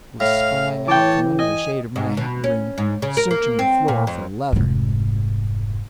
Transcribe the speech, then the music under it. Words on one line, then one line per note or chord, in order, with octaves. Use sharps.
I was spying out from under the shade of my hat brim, searching the floor for leather.
A2 F5 F6
E3 C#5 G5 A5 D6
D#5 G#5
G#2
B2
C#4
G#2
C#3
A#4
A#3
C4
A#2
F2
F1 G#2